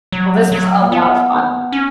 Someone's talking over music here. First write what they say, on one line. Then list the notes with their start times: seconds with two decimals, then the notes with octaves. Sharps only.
Well, this was a lot of fun.
0.12 F#3
0.52 F#3
0.82 A#3
0.92 B3
1.72 C#4